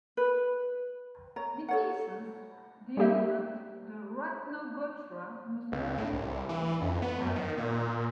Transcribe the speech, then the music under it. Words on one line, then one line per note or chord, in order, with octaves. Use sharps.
The 'essence', the 'element', the 'ratnagotra' must not be essentialized.
B4
C#5 A#5
A4 C#5 F#5
G3 A#3 G4 E5
C#2
A2
C2
E3
F2
B3
F#2
D#3
A#2